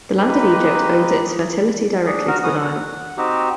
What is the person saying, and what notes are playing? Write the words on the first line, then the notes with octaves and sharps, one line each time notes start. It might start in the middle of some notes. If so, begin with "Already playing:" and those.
The land of Egypt owed its fertility directly to the Nile.
G#3 A#3 D#4 G4 B4
D4 G#4
F#4 A#4
B3 C#4 F#5 D#6
F#5
C4 D#4 F#4 G4